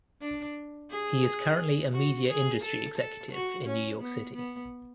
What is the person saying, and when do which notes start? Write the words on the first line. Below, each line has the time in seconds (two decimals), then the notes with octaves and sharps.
He is currently a media industry executive in New York City.
0.21 D4
0.90 G#4
1.93 F#4
2.28 G#4
2.62 A4
2.97 A4
3.31 F#4
3.66 C#4
4.01 B3
4.35 B3